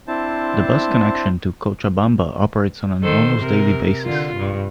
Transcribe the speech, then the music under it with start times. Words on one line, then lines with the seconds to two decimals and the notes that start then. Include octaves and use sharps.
The bus connection to Cochabamba operates on an almost daily basis.
0.08 C4 D4 E4 C5 A5
3.03 D#3 A4 C5
3.39 C3 A#4
4.05 D3 F4
4.37 G2